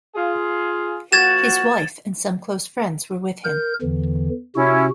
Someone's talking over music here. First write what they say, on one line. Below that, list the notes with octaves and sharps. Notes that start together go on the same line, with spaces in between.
His wife and some close friends were with him.
F4 G#4
A#2 F3 F#4 G#6 A6 E7
A#4 G6
E2 D3 E3
C3 C#4 E4 F#4